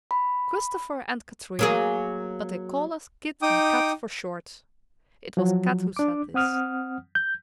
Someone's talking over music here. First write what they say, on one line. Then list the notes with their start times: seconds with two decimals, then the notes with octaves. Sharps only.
"Christopher and Katrina, but they call us Kit and Kat for short." It was Kat who said this.
0.11 B5
1.59 F#3 A#3 G#4
3.42 D#4 G5 D6 D#6
5.37 F3 F#3
5.97 D4 D6
6.34 C4 F#5 D#6 F6
7.15 G6